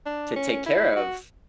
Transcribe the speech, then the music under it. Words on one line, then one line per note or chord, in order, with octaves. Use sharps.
to take care of
D4
C#4
E4
F#4